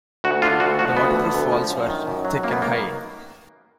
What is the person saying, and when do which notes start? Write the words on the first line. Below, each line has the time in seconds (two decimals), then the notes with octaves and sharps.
The waterproof walls were thick and high.
0.24 D2 F#4
0.42 D3 F4
0.60 D2 F#4
0.79 F3 F#4
0.97 D2 B3
1.16 D3
1.34 D2
1.52 F3
1.70 F#2
1.88 D#3
2.07 F#2
2.25 F#3
2.43 F#2 A#3
2.53 B3
2.62 D#3 A#3